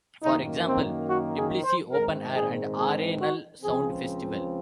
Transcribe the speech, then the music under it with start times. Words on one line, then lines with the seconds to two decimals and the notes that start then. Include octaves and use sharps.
For example, Tbilisi Open Air and Arenal Sound Festival.
0.22 F#2 D#3 A#3 D#4
0.65 C4
1.07 F#4
1.36 G#4
1.64 C5
1.92 G#2 D#3 G#3 C4 A#4
2.35 G#4
2.77 G#4
3.20 F#4
3.62 C#2 C#3 F3 C4 G#4